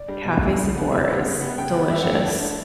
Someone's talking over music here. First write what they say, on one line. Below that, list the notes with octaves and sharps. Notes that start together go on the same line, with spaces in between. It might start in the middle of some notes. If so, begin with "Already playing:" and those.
Cafe Sabor is delicious.
Already playing: D5
G3 D4
B2
G3 D4
C#3
G3 B3
C#3 E5
G3 B3
C#3
G3 B3
C#3 G5
G3 B3
E3 E5
F#5
A3 D4 G5
E3 A5
A3 D4